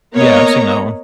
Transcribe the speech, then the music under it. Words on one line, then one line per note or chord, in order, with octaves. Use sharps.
Yeah, I've seen that one.
A#3 B3 C#5 D#5 A#5